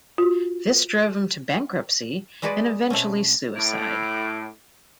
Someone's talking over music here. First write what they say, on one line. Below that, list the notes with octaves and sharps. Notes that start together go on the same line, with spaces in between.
This drove him to bankruptcy and eventually suicide.
F4 F#4
G3 G#3 F#4 G#4 B4 D5
B2 A3 C4 C#4
A2 D6